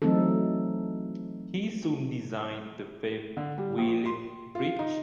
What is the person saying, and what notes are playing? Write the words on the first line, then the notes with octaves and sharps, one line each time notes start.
He soon designed the famed "Welin Breech".
E3 F#3 A3 C4 D#4 A4
D3
G3
A#1
C6
F4
D#4